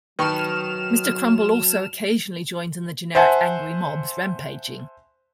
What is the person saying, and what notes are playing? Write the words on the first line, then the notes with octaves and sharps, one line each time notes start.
Mr Crumble also occasionally joins in the generic angry mob's rampaging.
D#3 F#3 B4 G5 A5 C#6 F6 E7
C5 E5 F#5 G#5 A5